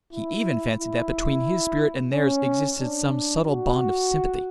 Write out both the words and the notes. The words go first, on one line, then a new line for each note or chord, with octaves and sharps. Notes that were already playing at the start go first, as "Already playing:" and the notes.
He even fancied that between his spirit and theirs existed some subtle bond of sympathy.
E4
E4
C#4
D4
F#4